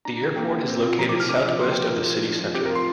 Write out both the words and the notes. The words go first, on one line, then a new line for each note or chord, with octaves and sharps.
The airport is located southwest of the city centre.
D4 A#5
D3
A#3 G5
D3
C4
F4
F3 A#5
D6
C3
F6
D4 D6
F3
A#3 C6
G5
F3
A#4
F4
F3
D4
F3
C4 G4
A#4
F4
C6